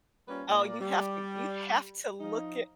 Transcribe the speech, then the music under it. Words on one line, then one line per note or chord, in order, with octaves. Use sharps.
Oh, you have to you have to look it
G3 A#3 C#4 F4 B4
A#2 A#4 D5
G3
F3 D#4